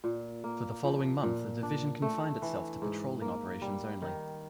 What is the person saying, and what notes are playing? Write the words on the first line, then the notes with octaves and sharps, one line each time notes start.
For the following month the division confined itself to patrolling operations only.
A#2
A#3
F3
A#2
D4
A3
E3
G#2
A#3
G3
D#3